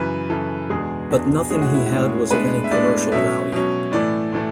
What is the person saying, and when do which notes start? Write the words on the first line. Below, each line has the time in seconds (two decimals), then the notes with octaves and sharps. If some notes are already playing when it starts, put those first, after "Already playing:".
But nothing he had was of any commercial value.
Already playing: F#2 C#3 E3 B4
0.30 F#2 C#3 E3 A4
0.70 E2 B2 G#3 D4 G#4
1.11 E2 B2 G#3 D4
1.50 A2 G#3 C#4 G#4
1.62 F#4
1.74 E4
1.86 F#4
1.91 A2 G#3 C#4
2.31 A2 G#3 B3 D4 B4
2.64 E5
2.71 A2 G#3 B3 D4 D5
3.12 B2 F#3 C#4 E5
3.52 B2 F#3 C#4
3.92 A2 E3 A3 D5
4.33 A2 E3 A3